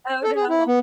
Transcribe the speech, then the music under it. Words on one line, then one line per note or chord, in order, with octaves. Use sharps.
Oh, no.
A4
G#4
E4
B3